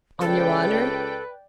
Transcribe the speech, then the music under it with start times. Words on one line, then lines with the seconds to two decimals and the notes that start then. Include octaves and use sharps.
"On your honor?"
0.21 C#2 A4 B4 D5 G5